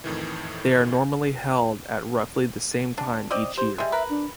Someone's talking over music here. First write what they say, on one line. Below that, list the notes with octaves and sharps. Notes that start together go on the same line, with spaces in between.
They are normally held at roughly the same time each year.
F2 A2 D#3 E3
D4
C4 D5 D#5
G4 C5
G3 G#3 E5
A#4 B4
D4